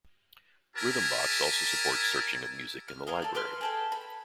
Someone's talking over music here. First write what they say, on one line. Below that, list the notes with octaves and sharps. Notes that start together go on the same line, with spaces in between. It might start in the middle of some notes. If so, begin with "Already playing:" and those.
Rhythmbox also supports searching of music in the library.
E4 G4 A#4 G#5 A5
F6
B3 F4 G#4 A#4
A4 D5
A#4 B4 C6 F6
G#4 A4 G5
B5